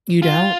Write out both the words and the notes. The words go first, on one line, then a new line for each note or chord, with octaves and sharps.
You don't?
F4